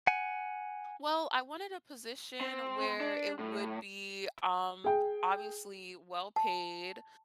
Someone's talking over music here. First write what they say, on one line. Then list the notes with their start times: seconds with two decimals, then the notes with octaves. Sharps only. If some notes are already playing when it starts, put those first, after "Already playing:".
Well, I wanted a position where it would be, um, obviously well-paid,
0.07 F#5 G#5
2.41 C4
3.01 D4
3.39 A2
4.84 G#4 G5
6.36 A5